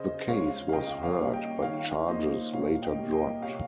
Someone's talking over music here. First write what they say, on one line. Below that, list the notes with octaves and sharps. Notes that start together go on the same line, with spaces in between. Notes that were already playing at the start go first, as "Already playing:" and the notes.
The case was heard but charges later dropped.
Already playing: C#3 C5 D#5
G#3 C#5 F5
F5
C#3 D#5 G5
C#5 F5
G3 A#3
D#5 G5
D#3 C#5 F5
A#3 C5 D#5
A#2 C#5 F5
D#5 G5
G3 A#3
D#5 G5
C3 C#5 F5